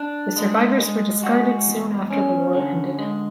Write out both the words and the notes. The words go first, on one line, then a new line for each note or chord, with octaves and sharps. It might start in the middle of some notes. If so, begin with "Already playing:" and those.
The survivors were discarded soon after the war ended.
Already playing: D4
G#3
G#3
G#3 F#4
E2
C#4
D3
G#3